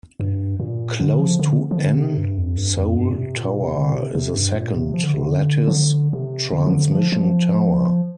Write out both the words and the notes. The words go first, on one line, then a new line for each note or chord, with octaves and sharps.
Close to N Seoul Tower is a second lattice transmission tower.
G2
A#2
D3
F3
D3
F3
D3
C3
G2
F2
G2
F2
G2
A#2
C3
A#2
C3
D3
A#2
C3
C3
G2
A#2
C3
F3
D3
C3
D3
F3
D3
C3
D3
F3
D3
F3
F3